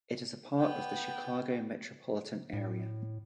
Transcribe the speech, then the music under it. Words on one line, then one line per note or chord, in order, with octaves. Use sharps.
It is a part of the Chicago metropolitan area.
B3 G5
A2